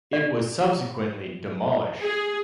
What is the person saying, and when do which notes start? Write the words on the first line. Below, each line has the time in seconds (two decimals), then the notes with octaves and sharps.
It was subsequently demolished.
0.13 D5
2.02 G#4